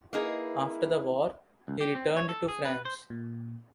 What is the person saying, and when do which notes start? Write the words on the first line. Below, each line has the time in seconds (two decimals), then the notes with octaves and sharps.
After the war, he returned to France.
0.13 A#3 D#4 E4 G#4 B4
1.68 C#2
1.81 G4
1.95 C4
2.17 C#5
2.29 A4
2.48 G#4
2.65 B4
2.85 C5
3.10 A#2